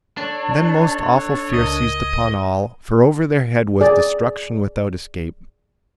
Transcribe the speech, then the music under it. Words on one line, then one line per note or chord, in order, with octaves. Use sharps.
Then most awful fear seized upon all; for over their head was destruction without escape.
D4 A4 C#5
C#2 A#4 D#5 G#6
G#4 D5